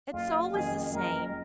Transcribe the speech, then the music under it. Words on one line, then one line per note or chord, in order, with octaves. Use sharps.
It's always the same.
F#1 F4
F2 D#3 F#3 C#4 G#4
F#1 A#4